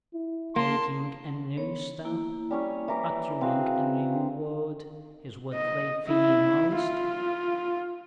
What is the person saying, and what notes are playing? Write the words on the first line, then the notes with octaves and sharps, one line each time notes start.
Taking a new step, uttering a new word is what they fear most....
E4
A#3 A5 C6
B3 C#5
A#3 E4
G3 C#4 C#5
E3 A#5 D6
C4 F#4 G#4 F5 G5
D#5
E4
F4